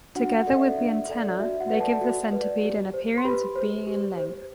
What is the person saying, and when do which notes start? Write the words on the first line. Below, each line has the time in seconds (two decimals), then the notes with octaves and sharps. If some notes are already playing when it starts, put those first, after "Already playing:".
Together with the antennae they give the centipede an appearance of being in length.
0.15 D4 F#4 F#5
0.37 F#4 F#5
0.47 A4 D5
0.57 E5
0.78 D4 E5
1.09 A4 D5
1.39 F#4 E5
1.60 F#4 F#5
1.70 B4 D5
1.80 A4 A5
2.01 F#4
2.32 B4 D5
2.63 G4
2.94 C5
3.18 C6
3.25 G4 B4 B5
3.56 C5
3.87 G4
4.17 C5